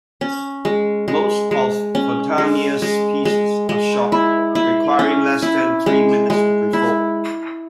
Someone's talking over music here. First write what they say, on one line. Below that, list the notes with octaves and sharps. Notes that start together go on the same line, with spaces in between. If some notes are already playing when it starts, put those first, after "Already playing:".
Most of Fontanelli's pieces are short, requiring less than three minutes to perform.
C#4
G#3
G#3
G#3
C#4
G#3
G#3
G#3
G#3
E4
E4
C#4
E4
G#3
G#3
E4